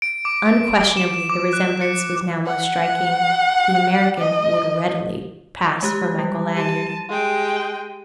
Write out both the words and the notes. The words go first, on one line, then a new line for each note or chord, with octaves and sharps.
Unquestionably the resemblance was now most striking; the American would readily pass for Michael Lanyard.
D7
D6
E7
D6
F#6
C#7
F#5
D#5
G#3 G4 F#6
G3
G4 A5 D#7
G#3 G5